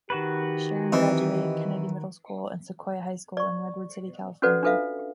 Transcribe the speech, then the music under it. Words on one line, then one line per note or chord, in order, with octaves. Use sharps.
Sharon graduated Kennedy Middle School and Sequoia High School in Redwood City, California.
D#3 F#4 G4 B4
E3 C4 D#5
D5 C#6
C#4 F#4 A4 B4 D5 F#5
D4 F4 A4 B4 E5 F5